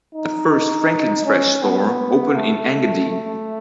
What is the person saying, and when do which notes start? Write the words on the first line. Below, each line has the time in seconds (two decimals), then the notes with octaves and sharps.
The first Franklins Fresh store opened in Engadine.
0.14 D#4
1.25 C#4
1.63 B3
2.35 A3
3.10 A3